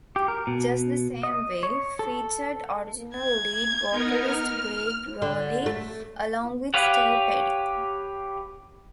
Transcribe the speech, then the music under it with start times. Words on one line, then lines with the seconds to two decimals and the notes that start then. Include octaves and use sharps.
"Just the Same Way" featured original lead vocalist Gregg Rolie along with Steve Perry.
0.16 G4
0.28 A#4
0.47 B2
1.23 D#5
1.63 C#5
1.99 A4
3.15 G#6
3.90 B3 D#4 A#4
4.22 F6
5.22 D3
5.66 A3
6.74 G4 B4 C#5 F5 F#5